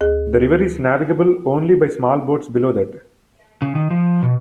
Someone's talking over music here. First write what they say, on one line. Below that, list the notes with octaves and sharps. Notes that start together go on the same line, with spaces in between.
The river is navigable only by small boats below that.
D2 G#4
C#3
D#3
F3
B2